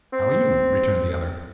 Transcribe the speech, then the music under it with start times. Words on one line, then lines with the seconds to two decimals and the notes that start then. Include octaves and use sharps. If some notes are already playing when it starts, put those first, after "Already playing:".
"How are you?" returned the other.
0.13 C4